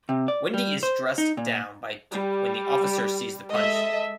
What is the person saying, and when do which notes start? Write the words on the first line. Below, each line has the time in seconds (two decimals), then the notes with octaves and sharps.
Windy is dressed down by Duke when the officer sees the punch.
0.09 C3
0.28 D5
0.54 G3
0.83 C5
1.18 D#4
1.37 A#2
2.12 G3
3.52 G#3 A4 D#5 E5